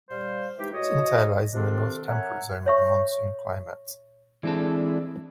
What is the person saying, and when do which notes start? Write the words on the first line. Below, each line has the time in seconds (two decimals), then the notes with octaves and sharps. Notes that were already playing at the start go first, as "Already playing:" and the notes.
Xintai lies in the north temperate zone with a monsoon climate.
0.09 G3 C5 F5
0.58 E3 G#3 D#4 G4
0.73 A2 F#4 C#5 D#5
1.53 C3 D#3 C4 D4 F4 A4
2.07 A#4 C#5 E5 F#5 G#5 A#5
2.66 C#5 E5 C#6
4.43 E3 G#3 C4 D4 E4 A4